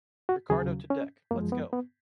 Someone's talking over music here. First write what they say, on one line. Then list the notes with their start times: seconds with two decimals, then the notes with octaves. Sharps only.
Ricardo to deck, let’s go!
0.29 F#4
0.50 D#2 C#3 F#3 G#4
0.90 C#4
1.31 F#2 F3 G#3 A#3
1.52 B3
1.73 B3